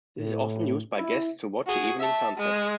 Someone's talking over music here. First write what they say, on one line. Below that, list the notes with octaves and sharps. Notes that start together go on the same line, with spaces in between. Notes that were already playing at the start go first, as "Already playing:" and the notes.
This is often used by guests to watch the evening sunset.
A2
E4
F#4 G#4
E5 A5
G#3